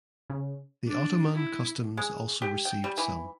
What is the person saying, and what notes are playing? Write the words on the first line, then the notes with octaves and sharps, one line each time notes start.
The Ottoman customs also received some.
C#3
D4
E4
G#3
G4
G5
G3
E3